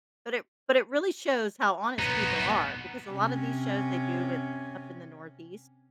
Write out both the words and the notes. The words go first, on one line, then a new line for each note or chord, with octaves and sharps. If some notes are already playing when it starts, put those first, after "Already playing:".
But it but it really shows how honest people are because a lot of these shows they do with up in the Northeast
B3 D#4
C3 C#4